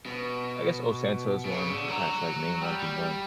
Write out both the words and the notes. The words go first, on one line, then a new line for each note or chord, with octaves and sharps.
I guess ohsxnta is one, if I had to, like, name one if you know him.
B2
B2
C#3
D3
F#3
G3
G3